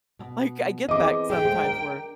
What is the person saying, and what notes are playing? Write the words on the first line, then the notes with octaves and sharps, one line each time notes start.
like, I get that sometimes where
B2
E3 C4 G#4 D#5 D6
A3 G#4 G5
G#3 C5
D4 A#4